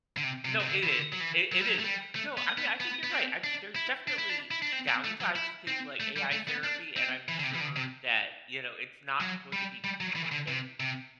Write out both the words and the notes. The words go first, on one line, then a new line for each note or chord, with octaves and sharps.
No, it is. It it is. No, I mean, I think you're right, I'm there's definitely downsides to, like, AI therapy and I'm sure that, you know, it's not going to be perfect,
D3
C3
C3
C3
D3
E3
D3
F#3
E3
F#3
G3
F#3
A3
G3
A3
B3
B3
B3
B3
C4
D4
E4
D4
E4
D4
E4
D4
C4
C4
A3
F#3
E4
C4
A3
G3
A3
B3
D4
C4
E3
D3
C3
E3
D3
C3
F#3
G3
G3
F#3
E3
D3
C3
C3